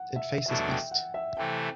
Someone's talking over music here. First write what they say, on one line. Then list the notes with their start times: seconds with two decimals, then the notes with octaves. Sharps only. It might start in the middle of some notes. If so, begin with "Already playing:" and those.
It faces east.
Already playing: F#5
0.16 E5
0.46 E2 B2 F#3 A3 D4 E5
0.69 G5
0.91 F#5
1.14 E5
1.37 C3 E3 A3 G5